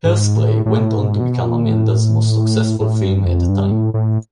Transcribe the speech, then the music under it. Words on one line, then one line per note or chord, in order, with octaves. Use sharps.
"Hairspray" went on to become Amanda's most successful film at the time.
G#2
A2
A2
G#2
B2
A#2
A2
A2
G2
F2
G2
A2
A2